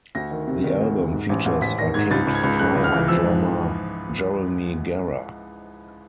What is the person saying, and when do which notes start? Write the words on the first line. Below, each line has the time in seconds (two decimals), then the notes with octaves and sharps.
The album features Arcade Fire drummer Jeremy Gara.
0.15 D2 A#6
0.31 D#3
0.48 C3
0.64 D#3
0.80 D2
0.96 C3
1.13 G#2
1.29 A1
1.46 A1
1.61 A1 B6
1.78 D#3 A#6
1.94 G#2 G#6
2.11 C#2 A6
2.27 C#2
2.35 G#6
2.43 C#2
2.59 C#3 F#6
2.75 C#2
2.84 F6
2.92 E3
3.08 F3 E6
3.24 G#2